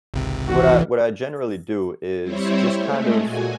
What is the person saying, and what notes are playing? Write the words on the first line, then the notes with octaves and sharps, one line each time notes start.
what I what I generally do is just kind of,
G#1 C#2 C3
E3 F#4
G3 C4 E4 C5 C#5
G#3 A3
A#2 F#4 G#5